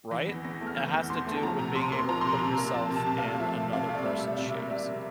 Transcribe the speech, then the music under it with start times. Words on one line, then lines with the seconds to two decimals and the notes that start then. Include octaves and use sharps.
Right? It has to do with being able to put yourself in another person's shoes.
0.11 E3 A#6
0.28 E2
0.44 E2 A#6
0.61 A3
0.67 F6
0.77 E3 G6
0.93 E2
1.10 E2 C6
1.27 A3
1.37 A5
1.43 F3 A#5
1.59 C3 A#5
1.75 C3 C6
1.92 A#3 C6
2.09 F3 A#5
2.21 C3 C6
2.33 A#5
2.41 C3
2.58 A#3
2.75 F3 A5
2.91 C3
2.96 A5
3.06 C3
3.18 F5
3.24 A3
3.39 F3 E5
3.56 C3
3.73 C3 F5
3.89 A3
3.95 D5
4.05 G3 E5
4.19 C3 E5
4.27 D5
4.38 C3
4.49 E5
4.55 A#3
4.71 G3 E5
4.87 C3